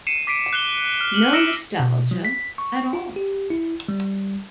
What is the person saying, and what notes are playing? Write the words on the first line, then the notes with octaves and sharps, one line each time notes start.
No nostalgia at all.
C7 C#7 D#7 E7
D6 B6 C7 D7 D#7
F#6 C7 E7 G7
F6
F6 F#7
E6 A#6 C#7 D7 E7
B2
F#3
B6
C#6
F4
G4
E4
G3